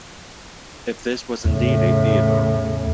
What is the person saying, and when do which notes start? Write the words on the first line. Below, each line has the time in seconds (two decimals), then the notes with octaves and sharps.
If this was indeed a theatre.
1.45 E2 A2 C#3